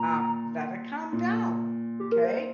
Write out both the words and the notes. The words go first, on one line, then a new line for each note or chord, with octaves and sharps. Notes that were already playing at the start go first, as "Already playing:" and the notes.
Um. Let it calm down. M'kay?"
Already playing: A#2 A#5
A#2
G4
A#4
C5